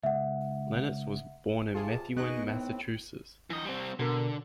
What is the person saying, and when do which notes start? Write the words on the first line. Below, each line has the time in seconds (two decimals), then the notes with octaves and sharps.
Lennertz was born in Methuen, Massachusetts.
0.03 C#2 E5 F#5
1.74 C3 F4 G#4 A5
2.17 B3 D#4 G#4 D#5 C#6 F#6
2.51 A2 C4
3.50 E3 D#5
3.65 G3 C4
3.99 B2 D3 A#4